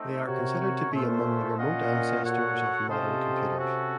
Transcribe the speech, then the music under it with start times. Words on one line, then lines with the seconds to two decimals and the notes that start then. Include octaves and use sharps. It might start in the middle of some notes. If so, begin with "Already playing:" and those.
They are considered to be among the remote ancestors of modern computers.
Already playing: A3 C4 D#4
0.25 C3 F#4 A#4 C#5
0.91 A#2 A3 C#4 F4 A4 C5
1.57 A#2 C#4 F4 A#4 D#5 F#5
2.23 F#4 A4 C#5 F#5
2.89 C3 C#4 F4 A4 C5 D#5
3.56 C#4 F#4 A4